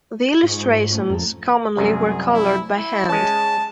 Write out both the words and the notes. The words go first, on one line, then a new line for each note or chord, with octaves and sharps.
The illustrations commonly were colored by hand.
G#2 F4 G#4 C#5
G6
A3 C#4 F4
F2 A4 A#4
C2 F#2 G#4
E4
E4
G#3 C#4 A5